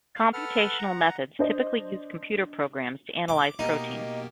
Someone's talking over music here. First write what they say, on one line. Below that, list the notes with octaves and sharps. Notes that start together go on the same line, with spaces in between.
Computational methods typically use computer programs to analyze proteins.
F5
A4 B4 F#5 F6
F#5 A#5
D4 C5 D#5
D6
B2 A#3 D#4 G4